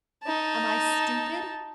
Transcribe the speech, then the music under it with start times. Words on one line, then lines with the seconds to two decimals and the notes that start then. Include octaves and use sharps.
Am I stupid?
0.24 D#4 A5